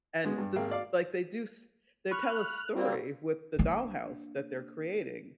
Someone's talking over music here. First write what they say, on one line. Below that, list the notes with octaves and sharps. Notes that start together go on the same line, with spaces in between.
And this Like they do s they tell a story with the dollhouse that they're creating.
G#3 B3 F#4
G2
G#1 A#3 G#4 F5 G5
D5 F5
B5 C#6 F6 F#6
G3 A#3 C4 F#4
A#3 D4